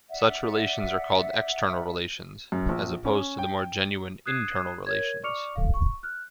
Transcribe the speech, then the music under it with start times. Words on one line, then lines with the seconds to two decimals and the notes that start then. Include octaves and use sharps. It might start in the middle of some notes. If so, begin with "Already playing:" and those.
Such relations are called external relations, as opposed to the more genuine internal relations.
0.09 D5 E5 F#5
2.52 F#2
2.69 A#1
3.05 C#4
3.39 G5
4.26 D#6 F#6 G#6 C7 D#7 E7
4.86 A#4 C#5 G#6
5.23 D5 C#6 D6 F6 C#7 F7
5.56 A4 F5
5.74 C#6
6.03 F6 F#6